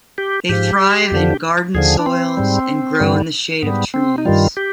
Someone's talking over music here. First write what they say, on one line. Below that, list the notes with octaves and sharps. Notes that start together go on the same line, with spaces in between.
They thrive in garden soils, and grow in the shade of trees.
G4
G#2 F3 G4
F2 D3 F3
D#2 D3 F3 G#4
D4
C4
G#2 G3
G2 D3 G3
G#2 G3 B3
C4
D#4
G2 D#3 G3 F4
G4